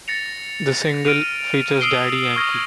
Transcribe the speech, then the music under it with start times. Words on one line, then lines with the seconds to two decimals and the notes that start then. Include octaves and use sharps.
The single, features Daddy Yankee.
0.08 A6 A#6 C#7 F7
1.05 F6 D7 D#7 F7
1.81 D#6 E6 C7 D7 G7
2.36 C#6 D#6 F6 G#6 A#6